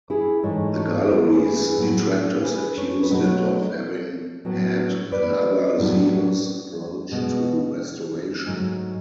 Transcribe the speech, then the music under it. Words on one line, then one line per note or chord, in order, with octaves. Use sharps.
The Gallery's detractors accused it of having had an over-zealous approach to restoration.
E4 G#4
G#2 E3 A3 A4 C#5
A4 C#5
A4 C#5
G#4 B4
E4 G#4
A2 F#3 A3
G#4 B4
A4 C#5
B4
B2 F#3 A3 A4 C#5
A2 F#3 B3
B4 D5
A2 F#3 A3
B2 G#3 B3
G#2 F#3 A3